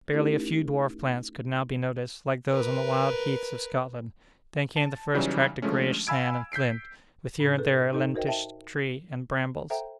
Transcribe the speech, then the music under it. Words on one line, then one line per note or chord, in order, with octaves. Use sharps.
Barely a few dwarf plants could now be noticed, like those on the wild heaths of Scotland; then came the first tract of grayish sand and flint, with here and there a lentisk tree and brambles.
A3 C#4 D#4 E4 G4 A#4
A#4 B4
A5
C#3 E3 F#3 G3 C#4 D#4
D3 F3 G#3 A3 C#4
F5 G#5 B5 E6 G#6 D7
G6 B6 C7 D7
A2 D4
G#4 A4 B4
D#4 A4 D#5
F#4 A#4 C5 D#5 G5
D#5 E5 G5 A5
A4 C5 E5 F#5 G5 A#5